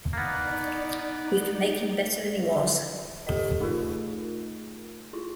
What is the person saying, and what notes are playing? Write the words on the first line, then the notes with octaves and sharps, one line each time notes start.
We can make him better than he was.
A#3 B3 D#4 D5
G4 A4 D#5
A3 D#4 F4 G#4 A#4
E4 F4